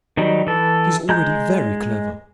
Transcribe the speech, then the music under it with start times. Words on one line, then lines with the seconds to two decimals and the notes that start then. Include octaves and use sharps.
She is already very clever.
0.17 D#3 F#3 G3 D#4
0.47 E3 A4
1.09 G#3 A#5 G6